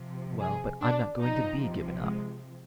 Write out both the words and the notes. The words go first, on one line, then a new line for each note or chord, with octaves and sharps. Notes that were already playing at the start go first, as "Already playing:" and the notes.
"Well, but I'm not going to be given up."
Already playing: C3 F3
G#4
D4
C3 F3 D#4
G#3